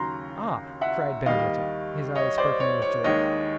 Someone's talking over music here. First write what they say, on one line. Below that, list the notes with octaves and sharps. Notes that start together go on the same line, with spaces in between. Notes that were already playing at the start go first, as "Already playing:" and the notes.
"Ah," cried Benedetto, his eyes sparkling with joy.
Already playing: D#2 C#3 F#3 A#5 C6
E5 F#5
D#2 D#3 G3 D#5 F5
C#5 D#5
C5 D5
C#5
C#5
D#2 D#3 G#3 C#5 D#5